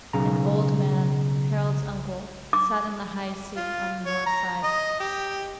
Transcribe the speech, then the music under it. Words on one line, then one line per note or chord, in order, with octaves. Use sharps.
An old man, Harald's uncle, sat in the high seat on the north side.
B1 C#3 A#5
D6
F4
C#5
A#5
D#5
G4